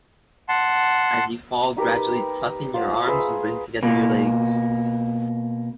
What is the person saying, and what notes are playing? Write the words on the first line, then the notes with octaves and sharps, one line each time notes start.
As you fall, gradually tuck in your arms, and bring together your legs.
F#5 A5 C6
D#4 G4 A#4 B4
F4 C5 F5 F#5
G#4 B4 C5 E5
F5
B2 A#3